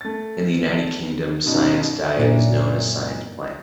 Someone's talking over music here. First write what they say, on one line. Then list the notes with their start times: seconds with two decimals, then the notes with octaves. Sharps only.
In the United Kingdom, Science Diet is known as Science Plan.
0.01 A3 A6
1.46 G2 B2 D#3 C#4 D#4 F#4
2.16 F#2 A#2 D4 E4 F4 D5